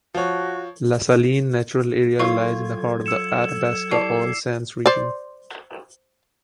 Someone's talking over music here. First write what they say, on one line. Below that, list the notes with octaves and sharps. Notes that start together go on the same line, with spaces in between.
La Saline Natural Area lies in the heart of the Athabasca Oil Sands region.
F3 F#4 C#5
F#3 E4 F4 A4 C#6 G#6
E6 C#7 E7
E4 G4 D5 A5 C7
C5 D5